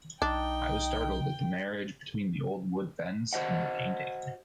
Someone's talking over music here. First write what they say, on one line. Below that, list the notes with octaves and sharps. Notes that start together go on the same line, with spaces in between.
I was startled at the marriage between the old wood fence and the painting.
B1 D4 D#4 G5
F#4 C5 D#5 F#5